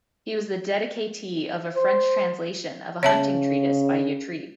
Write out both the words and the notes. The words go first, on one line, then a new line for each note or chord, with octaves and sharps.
He was the dedicatee of a French translation of a hunting treatise by Yatrib.
C5
C#3 C#5 E5 A5